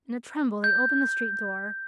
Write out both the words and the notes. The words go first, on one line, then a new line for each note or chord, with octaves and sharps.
In a tremble they opened the street door.
G6